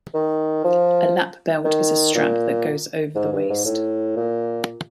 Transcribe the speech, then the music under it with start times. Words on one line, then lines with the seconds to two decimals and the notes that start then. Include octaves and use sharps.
A lap belt is a strap that goes over the waist.
0.14 D#3
0.64 F3
1.65 D#3
2.15 A#2
3.15 G#2
3.33 G2
3.50 G#2
3.65 A2
4.17 A#2